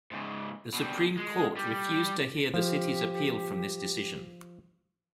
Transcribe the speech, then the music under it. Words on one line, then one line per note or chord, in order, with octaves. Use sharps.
The Supreme Court refused to hear the city's appeal from this decision.
G#2 C#3
B2 G3
G#3
G3
F3 G4